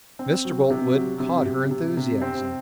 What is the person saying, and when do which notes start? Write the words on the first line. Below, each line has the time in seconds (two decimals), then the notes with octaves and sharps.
Mr. Boltwood caught her enthusiasm.
0.19 C4
0.45 F#3
0.70 C3
0.95 F#3
1.20 C3
1.46 C3
1.71 C3
1.97 C3
2.22 C4